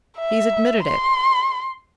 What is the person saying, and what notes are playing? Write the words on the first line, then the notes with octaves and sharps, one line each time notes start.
He's admitted it.
E5
C6